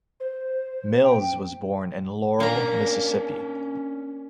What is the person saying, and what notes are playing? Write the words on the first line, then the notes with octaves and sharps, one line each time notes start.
Mills was born in Laurel, Mississippi.
C5
G5
A#3 C#4 D4 A#5